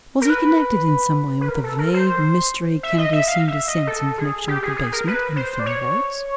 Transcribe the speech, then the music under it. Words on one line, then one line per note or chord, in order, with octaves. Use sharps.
Was he connected in some way with the vague mystery Kennedy seemed to sense in connection with the basement and the film vaults?
A#4
B4
B4
A#4
A4
A#4
C5
E5
D#5
E5
F5
E5
D#5
A4
G#4
G4
G#4
G#4
A#4
B4
C5
D5
C#5